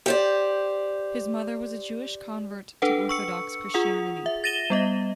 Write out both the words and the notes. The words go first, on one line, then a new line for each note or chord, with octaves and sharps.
His mother was a Jewish convert to Orthodox Christianity.
G4 C5 D5
D4 A4 B4 F#5
C#6 E6 C#7
F4 G#4 F#5 D#6 F7
E5
A6 A#6 D#7 E7 G7
G3 B3 D#5